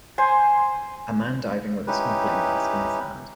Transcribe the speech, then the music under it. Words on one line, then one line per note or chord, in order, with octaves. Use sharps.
A man diving with a snorkeling mask in his hand.
C5 G#5 C6
C#4 D#4 E4 G4 B4